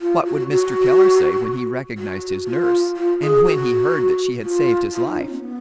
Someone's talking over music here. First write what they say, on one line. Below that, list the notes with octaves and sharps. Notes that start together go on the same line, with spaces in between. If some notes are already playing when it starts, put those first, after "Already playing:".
What would Mr. Keller say when he recognized his nurse, and when he heard that she had saved his life?
F4
F#4
F#4
F#4
F4
F4
G#4
F#4
F4
F4
D#4
C#4
B3